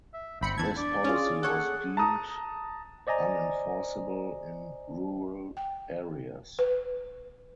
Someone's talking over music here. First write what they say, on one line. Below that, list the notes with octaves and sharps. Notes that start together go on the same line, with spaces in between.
This policy was deemed unenforceable in rural areas.
E5
G1 C4 B5 C#7
E2 A5 G#6
D4 D5
C#4 F4 G#4
A4 C#5 F#5
A5 A#5 D#6
C5 D5 D#5 G#5 A#5
G5
B4